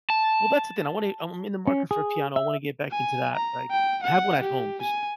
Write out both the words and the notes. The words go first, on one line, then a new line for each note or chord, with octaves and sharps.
Well, that's the thing, I want it I'm in the market for a piano. I want to get back into that, like, I have one at home 'cause
A5
C#4
G#4
E5
G#5
A#5
G5
F#5
G4
G#5